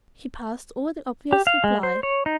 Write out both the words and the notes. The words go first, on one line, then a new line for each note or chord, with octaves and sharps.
He passed over the obvious reply.
G4
F5
G#3
C5
C#5
D#4